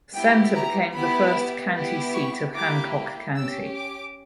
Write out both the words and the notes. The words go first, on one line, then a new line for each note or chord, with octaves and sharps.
Center became the first county seat of Hancock County.
B3 E4 G4 G5
A#5
B3 E4 G4 B5
B3 E4 G4
C#6
A#3 E4 G4 D6
C#4 G4 E6
D6